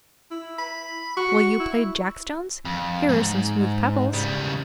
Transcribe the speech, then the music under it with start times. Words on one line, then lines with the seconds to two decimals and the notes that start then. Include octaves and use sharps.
"Will you play jack-stones? here are some smooth pebbles."
0.31 E4
0.58 B5
1.17 F#4 C#6
1.60 E4
2.65 F2
3.09 G#2
4.13 C#3 G3